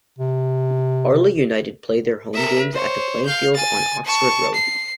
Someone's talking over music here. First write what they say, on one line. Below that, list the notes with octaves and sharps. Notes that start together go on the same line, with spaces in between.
Ardley United play their home games at the Playing Fields on Oxford Road.
C3
A#4 E5
C5 C#5
F5 G6
G#5 A6
A5 C#6
C7